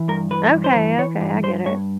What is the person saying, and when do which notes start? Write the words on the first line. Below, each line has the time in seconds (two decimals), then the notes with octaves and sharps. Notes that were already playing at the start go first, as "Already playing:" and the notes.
Okay, okay, I get it.
Already playing: E3
0.08 G2 A#4
0.31 E3 B4
0.53 G2
0.64 C5
0.75 E3
0.98 E3 C#5
1.21 G2
1.43 G2 C5
1.66 G2 C#5